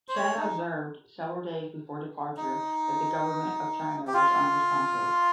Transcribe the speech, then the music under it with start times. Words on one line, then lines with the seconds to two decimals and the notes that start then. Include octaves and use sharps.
Chen observed several days before departure that the government of China was unresponsive.
0.08 C5
0.15 C#5
0.37 D#4
2.37 D#4
4.07 G4
4.14 F4